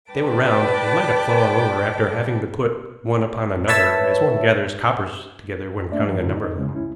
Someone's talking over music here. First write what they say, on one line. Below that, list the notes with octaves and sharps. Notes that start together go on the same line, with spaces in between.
They were round, and might have fallen over after having been put one upon another as one gathers coppers together when counting a number of them.
B4 D5 G5 A5 D6
B4 C#5 E5 A5 E6
A3 A#3 C#4 D4 D5 E5
F3
F#2 A2 D3 F#3 D#4 F4
D#4 D#5
C#3 G#3 C#4
C#2 C#4 E4